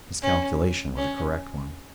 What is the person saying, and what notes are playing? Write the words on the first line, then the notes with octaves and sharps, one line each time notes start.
His calculation was a correct one.
C#4
C#4